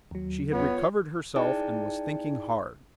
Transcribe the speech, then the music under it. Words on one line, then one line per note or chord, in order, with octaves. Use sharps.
She had recovered herself and was thinking hard.
D#2 F#3
B3 F4 C#5
D#4 E4 G#4 D5 G5 A5